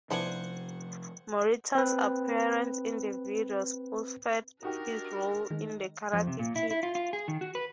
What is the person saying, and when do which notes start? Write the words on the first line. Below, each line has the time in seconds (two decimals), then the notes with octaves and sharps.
Morita's appearance in the video spoofed his role in "The Karate Kid".
0.11 C3 F3 B3 D4 E4 C5 F#5 G#5
1.75 C4 B4
4.63 D4 D#4 F#4 G4 A#4
5.50 D#3 G#3
6.13 F2
6.27 C3
6.39 A#2
6.56 E4
6.71 E4
6.83 F4
6.95 F4
7.13 G#4
7.28 D#3
7.41 F#4
7.55 B4